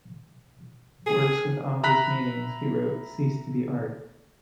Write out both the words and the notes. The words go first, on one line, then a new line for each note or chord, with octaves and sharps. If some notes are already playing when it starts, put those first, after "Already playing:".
Works with obvious meanings, he wrote, cease to be art.
G#4
E5 A#5 B5 F#6 B6